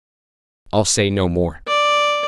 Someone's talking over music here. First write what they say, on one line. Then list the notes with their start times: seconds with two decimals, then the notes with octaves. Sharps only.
I'll say no more.
1.68 D5